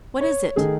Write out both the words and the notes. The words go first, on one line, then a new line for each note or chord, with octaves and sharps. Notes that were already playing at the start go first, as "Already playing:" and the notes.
'What is it?
C#5
D#3 A3 G#4